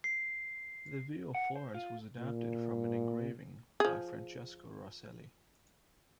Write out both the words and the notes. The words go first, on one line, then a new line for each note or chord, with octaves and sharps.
The view of Florence was adapted from an engraving by Francesco Rosselli.
C7
F#5
C5
F4
A#2
F3 G#4